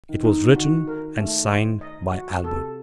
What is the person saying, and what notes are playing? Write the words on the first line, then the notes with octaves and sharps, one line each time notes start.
It was written and signed by Albert.
D#3
D#4
D3
D#3 F#4
A#4
A3
C5
D#5
F#4
C3 A4